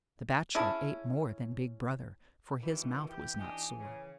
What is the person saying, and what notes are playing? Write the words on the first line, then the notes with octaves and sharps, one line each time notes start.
The Bachelor ate more than Big Brother, for his mouth was not sore.
C#4 E4 G#4 A5
G2 B2 D#3 E3
G4 G5
D4 D#4 G4 G#5
C#3